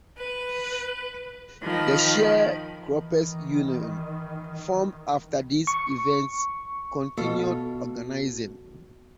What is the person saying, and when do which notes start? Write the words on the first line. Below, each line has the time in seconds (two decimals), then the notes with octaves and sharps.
The Share Croppers' Union, formed after these events, continued organizing.
0.17 B4
1.63 D#3 F3 B5
2.82 D#3 E3
5.67 C#6
7.17 B2 F4 A4